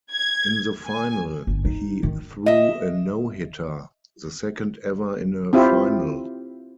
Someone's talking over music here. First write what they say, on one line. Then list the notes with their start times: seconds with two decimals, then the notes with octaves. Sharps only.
In the final, he threw a no-hitter, the second ever in a final.
0.12 G#6
0.85 G#5
1.47 G1
1.65 D#4
2.03 D#3
2.46 D#5 E5
5.53 C4 E4 F4 G4